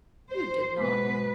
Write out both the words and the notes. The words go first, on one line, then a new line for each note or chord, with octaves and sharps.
"You did not."
C5
B2 G#3 B3 B4